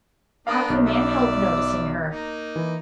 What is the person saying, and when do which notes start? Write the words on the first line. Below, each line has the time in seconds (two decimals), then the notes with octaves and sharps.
How could a man help noticing her?
0.47 A#3 B3 D4 F5 D#6
0.70 B1
0.86 D5 E5
2.11 A#3 D#4
2.56 E3